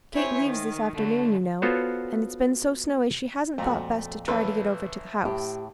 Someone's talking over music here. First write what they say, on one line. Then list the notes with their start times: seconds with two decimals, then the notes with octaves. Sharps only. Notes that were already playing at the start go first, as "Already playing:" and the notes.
Kate leaves this afternoon, you know, and it's been so snowy she hasn't thought best to try to get over to the house.
0.13 C4 E4 C5 C#5 G#5
0.43 D#3
0.94 D3 F#3 A3
1.62 B3 F4 F#4 A4 C5 C#5
3.58 F2 A#2 A3 F#4 A#5
4.28 A1 A4 B4
5.25 A2 G4